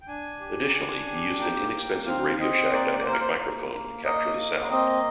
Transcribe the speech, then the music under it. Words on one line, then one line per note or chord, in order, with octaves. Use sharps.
Additionally he used an inexpensive Radioshack dynamic microphone to capture the sound.
G5
D4 G#5
G4
A#5
D4 G#5
G4
A#3 G5
A#3
C4 F5
C4 D#5
A#3 D5
A#3 C5
A#4
C5
A#3
A#3
A#3 D#5
A#3
C4 D#5